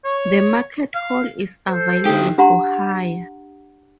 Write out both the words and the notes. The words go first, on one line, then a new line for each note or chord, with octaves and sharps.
The market hall is available for hire.
C#5
F5
A4 C5
D3 D#4 G4
D4 G4 F#5 A#5 C6